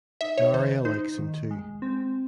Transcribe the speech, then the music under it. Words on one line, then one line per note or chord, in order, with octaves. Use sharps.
Daria likes him too.
D#4 E5
C#5
D#3 C5
D#4 C5
D#3
G#3
C4